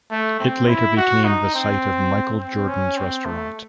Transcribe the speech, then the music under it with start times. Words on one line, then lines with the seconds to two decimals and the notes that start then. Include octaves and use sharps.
It later became the site of Michael Jordan's Restaurant.
0.11 A3
0.40 C4
0.68 E4
0.97 F#4
1.25 D#4
1.54 C4
2.39 C4
2.68 C#4
2.97 C4
3.25 A3